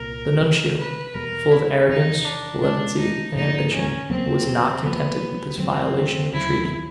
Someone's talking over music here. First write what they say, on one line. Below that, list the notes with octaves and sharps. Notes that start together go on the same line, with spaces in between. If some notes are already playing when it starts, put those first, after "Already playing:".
The nuncio, full of arrogance, levity, and ambition, was not contented with this violation of treaty.
Already playing: C2 A#2 A#4
C3 D#3 G3
B4
E2 B2 G3 A#4
E4
E2 C3 E3 D#4
D4
B2 G#3 C#4 D4
D#4
G#2 F3 A#3 D#4
C#4
E2 C#3 F#3 A#3 C4
C3 F3 A#3 B3
F#2 D#3 F#3 A3 C4
D#2 C#3 F#3 E4